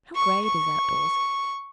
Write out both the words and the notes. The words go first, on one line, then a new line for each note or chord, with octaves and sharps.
How grey it is outdoors.
C#6
C#6